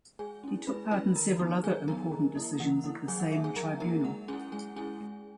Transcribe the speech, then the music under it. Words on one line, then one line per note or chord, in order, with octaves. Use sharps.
He took part in several other important decisions of the same tribunal.
G#3 G#4 G#5
C#4 E4
G#3 B4 B5
C#4 E4 B4 B5
D#3 A#4 A#5
F#3 B3 D#4
D#3 G#4 G#5
F#3 B3 D#4 A#4 A#5
E3
A#3 E4
E3 F#5
A#3 E4 F#5
F#3 G#4 G#5
F#5
A#3 D#4 E5
G#4 G#5
F#3 A#4 A#5
A#3 D#4 A#4 A#5
G#3 F#5
C#4 E4 G#4 G#5
G#3 G#4 G#5
C#4 E4 G#4 G#5
G#3